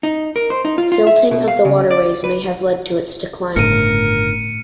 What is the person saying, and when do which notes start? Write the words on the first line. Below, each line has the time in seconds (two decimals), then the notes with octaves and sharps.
Silting of the waterways may have led to its decline.
0.03 D#4
0.36 A#4
0.50 C5
0.65 D#4
0.78 F4
0.92 F4
1.07 E5
1.31 B2
1.48 F5
1.65 C#3
1.91 D5
2.24 B4
3.56 G1 A2 C#3 A#4 C#7 D#7